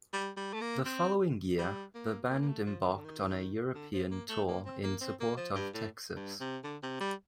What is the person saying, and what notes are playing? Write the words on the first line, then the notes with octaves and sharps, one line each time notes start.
The following year the band embarked on a European tour in support of Texas.
G3
G3
A3
A#3
C4
G3
A#3
A#3
A#3
A3
F3
D#3
D3
D#3
D3
F3
A#3
A3
A#3
C4
A#3
C4
A#3
F3
G2
A2
G2
C3
D3
C3
G3